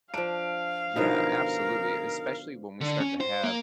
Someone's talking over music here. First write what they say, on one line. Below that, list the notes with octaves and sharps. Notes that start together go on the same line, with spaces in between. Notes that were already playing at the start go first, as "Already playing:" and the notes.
Yeah, absolutely especially when we start to have
F3 D4 F5 D7
B2 D3 F3 D#4 A#4
D3
C#4
C5
A#3